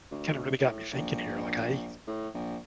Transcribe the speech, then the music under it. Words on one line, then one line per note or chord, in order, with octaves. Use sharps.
Kinda really got me thinking here, like, I
D2
A2
A#1
A2
A#1